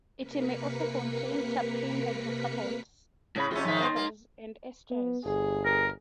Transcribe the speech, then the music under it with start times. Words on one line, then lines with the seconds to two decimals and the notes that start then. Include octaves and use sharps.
It may also contain terpene hydrocarbons, ethers, and esters.
0.19 C3 A#3 A#4 B4 B6 C#7
3.36 A2 C#3 C#5 B5
3.51 F2 C3 C#4 E4 F4 G#4
3.65 G#2 D#3 F3 A#3 E5
3.81 D#4 C6
3.96 A#3
4.90 B3
5.25 G1 G#4
5.65 A#4